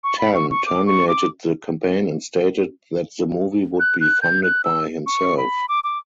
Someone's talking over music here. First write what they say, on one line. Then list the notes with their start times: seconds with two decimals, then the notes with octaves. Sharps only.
Tan terminated the campaign and stated that the movie would be funded by himself.
0.04 C#6
0.19 B5
0.35 C#6
0.51 C#6
0.66 D6
0.87 C#6
1.08 D6
3.80 F#6
4.01 F#6
4.22 G6
4.43 F#6
4.64 E6
5.06 C#6
5.37 B5
5.69 D6
5.84 D6